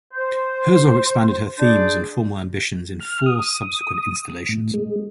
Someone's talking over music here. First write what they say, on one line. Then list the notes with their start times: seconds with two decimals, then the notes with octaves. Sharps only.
Herzog expanded her themes and formal ambitions in four subsequent installations.
0.14 C5
1.57 D4 G#4 C5 D5
3.00 F6
3.26 D#6
4.49 A2
4.74 G#3